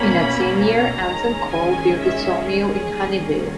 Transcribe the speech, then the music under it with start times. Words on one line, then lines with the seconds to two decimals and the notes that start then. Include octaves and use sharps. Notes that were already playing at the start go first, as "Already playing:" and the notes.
In that same year Anson Call built a sawmill in Honeyville.
Already playing: B2 A#3 C#4 B5
0.56 A#5
1.04 D#3 G#3 C#4
1.52 G#5
2.00 E5
2.48 G#4
2.94 D#3 G3 A#3 C#4